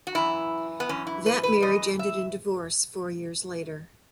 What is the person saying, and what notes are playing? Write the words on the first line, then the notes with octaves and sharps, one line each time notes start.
That marriage ended in divorce four years later.
F#4
F#2 E3 E4
B3
F#2 E3 C#4
E4
B4
B4
F#2 E3 D#5
E5